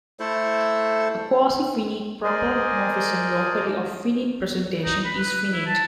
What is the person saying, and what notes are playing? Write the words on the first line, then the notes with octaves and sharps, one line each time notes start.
A quasi-finite proper morphism locally of finite presentation is finite.
A3 E4 A4 C5
G#4 A#4 C5 D5 D#5 G#5
D#4
B5
B4
E4
A5